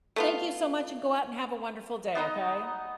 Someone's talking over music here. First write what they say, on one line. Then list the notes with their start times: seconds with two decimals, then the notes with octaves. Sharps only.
thank you so much and go out and have a wonderful day, okay?
0.16 A3 B3 F4
2.15 B3 D#4 D#5 A#5